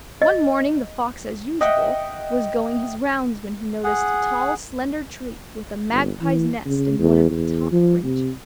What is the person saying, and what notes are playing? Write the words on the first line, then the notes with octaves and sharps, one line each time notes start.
One morning the fox as usual was going his rounds when he noticed a tall, slender tree, with a magpie's nest in one of the top branches.
D#5
D#5 E5 F#5 G5
G#4 F#5
G1
E3
C#3
E2
E2
F3
C3